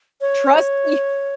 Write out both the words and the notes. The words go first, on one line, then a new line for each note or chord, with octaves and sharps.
Trust you
C#5